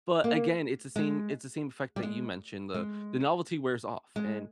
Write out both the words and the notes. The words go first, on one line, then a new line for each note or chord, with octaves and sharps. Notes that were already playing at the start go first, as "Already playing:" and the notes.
But again, it's the same it's the same effect that you mentioned. The the novelty wears off. And
A#3
G#3
G3
G#3
G#3
G#3